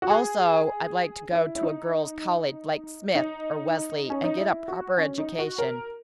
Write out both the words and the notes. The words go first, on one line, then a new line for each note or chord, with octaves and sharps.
Also I'd like to go to a girl's college, like Smith or Wellesley, and get a proper education.
F#4
G#4
E4
E4
D#4
D#4
C#4
D#4
E4
F#4
C#4
D#4
F#4
A#4